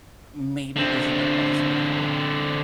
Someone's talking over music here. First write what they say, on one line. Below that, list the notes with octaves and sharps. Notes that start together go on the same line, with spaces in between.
maybe isn't the best way to go
D3 C4